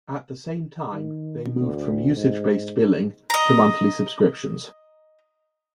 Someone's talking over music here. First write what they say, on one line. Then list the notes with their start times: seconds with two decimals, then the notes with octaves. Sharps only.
At the same time, they moved from usage-based billing to monthly subscriptions.
0.93 D#3
1.61 D2
2.17 G#2
3.30 D#5 A#5